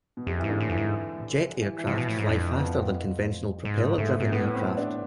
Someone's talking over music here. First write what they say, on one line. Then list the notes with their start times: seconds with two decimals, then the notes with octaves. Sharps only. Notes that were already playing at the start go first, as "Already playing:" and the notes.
Jet aircraft fly faster than conventional propeller-driven aircraft.
0.17 B2
0.26 F2 C3
0.39 G#2 E3
0.49 D3
0.60 A2
0.69 F2 E3
0.77 G#2
1.62 E3
1.78 E3
1.84 C3 F3
1.98 B2
2.07 A2 E4
2.18 G#2 E4
2.29 F2 D4
2.57 B3
2.63 C4
3.65 G#2
3.98 G#2 A3
4.20 G#2
4.32 A2 B3
4.46 B3
4.54 C4
4.78 D4